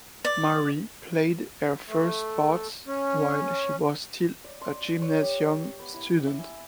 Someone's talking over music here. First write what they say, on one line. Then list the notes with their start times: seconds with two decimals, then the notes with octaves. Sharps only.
Mary played her first parts while she was still a gymnasium student.
0.25 D5
1.88 A3
2.87 C#4
4.44 D5
4.61 C6
5.02 C#5
5.22 G4
5.79 B3
5.94 E4
6.27 E5
6.39 G#5